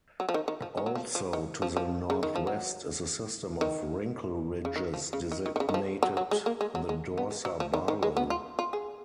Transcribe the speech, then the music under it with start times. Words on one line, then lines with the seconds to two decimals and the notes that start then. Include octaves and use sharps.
Also to the northwest is a system of wrinkle ridges designated the Dorsa Barlow.
0.20 F#3
0.29 F3
0.34 D#3
0.48 D#3
0.62 F3
0.77 D#3
0.86 F#3
0.95 F3
1.15 F3
1.33 D#3
1.62 F3
1.77 F3
2.10 C#3
2.23 D#3
2.36 F3
2.47 F#3
3.61 D#3
4.65 C#3
4.76 D#3
4.94 F3
5.13 C#3
5.32 D#3
5.46 D#3
5.56 D#3
5.60 C#3
5.69 D#3
5.74 F3
6.03 F#3
6.17 F#3
6.31 G#3
6.46 A#3
6.61 G#3
6.75 F#3
6.89 G#3
7.18 B3
7.31 G#3
7.45 F#3
7.60 F3
7.74 D#3
7.88 D#3
8.03 G#3
8.17 B3
8.30 F4
8.59 F4
8.73 G#4